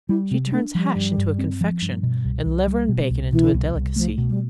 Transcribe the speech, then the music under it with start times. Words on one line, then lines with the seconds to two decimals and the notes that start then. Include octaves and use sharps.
She turns hash into a confection and liver and bacon into a delicacy.
0.09 G3 E4
0.31 C3 C4
0.46 G3
0.52 A3 D4
0.75 F3 G3
0.95 G2
1.18 G2
1.39 C4
1.61 F3
1.82 G2
2.03 B2
2.25 C2
2.46 C2
2.68 G3
2.89 B2
3.10 C2
3.32 B2 E3
3.54 C2
3.75 C2
3.96 F3 A3
4.18 B2
4.29 G3